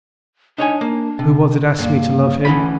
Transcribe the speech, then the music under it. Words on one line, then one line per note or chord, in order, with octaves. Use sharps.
"Who was it asked me to love him?"
D4 D#4 C#5 G#5
A#3
C3
G2 A#3
D2 E3 C#4 B5